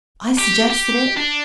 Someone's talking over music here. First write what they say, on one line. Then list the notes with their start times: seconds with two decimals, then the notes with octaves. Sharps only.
I suggested it.
0.39 G4
0.70 G4
1.17 D4